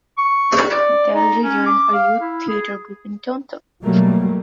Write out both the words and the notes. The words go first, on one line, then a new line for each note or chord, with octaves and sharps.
Daldry joined a youth theatre group in Taunton.
C#6
D5
D#4
C#4
D6
F5
E4
G#4
B2 F#3 G3 A3 A#3